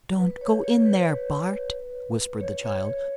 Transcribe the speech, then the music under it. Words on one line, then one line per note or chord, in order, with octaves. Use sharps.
"Don't go in there, Bart!" whispered the child.
B4
C#5
C#5
B4
C#5
C#5
C#5